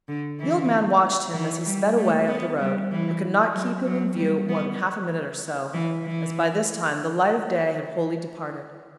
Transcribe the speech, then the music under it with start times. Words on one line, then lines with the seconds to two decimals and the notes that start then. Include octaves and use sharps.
The old man watched him as he sped away up the road, but could not keep him in view more than half a minute or so, as by this time the light of day had wholly departed.
0.08 D3
0.39 E3
1.34 E3
1.66 G3
1.97 A3
2.28 B3
2.60 G3
2.92 E3
3.53 F#3
3.86 F#3
4.16 G3
4.48 B3
5.73 E3
6.05 E3